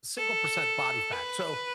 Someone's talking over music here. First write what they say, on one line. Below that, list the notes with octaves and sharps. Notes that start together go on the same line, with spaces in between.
single percent body fat. So,
A4
B4